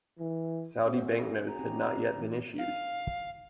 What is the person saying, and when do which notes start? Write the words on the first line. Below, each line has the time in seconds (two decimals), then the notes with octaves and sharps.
Saudi bank notes had not yet been issued.
0.19 E3
0.86 C#4 F#4 C5 E5
1.06 A4
1.47 F#4 G#4 A#5
1.59 C4 D#4 G4
2.19 E3
2.58 F5